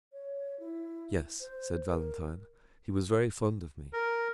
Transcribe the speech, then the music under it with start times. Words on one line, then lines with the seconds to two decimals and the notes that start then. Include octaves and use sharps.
"Yes," said Valentine, "he was very fond of me."
0.12 C#5
0.59 E4
1.40 C5
1.86 A#4
3.93 A#4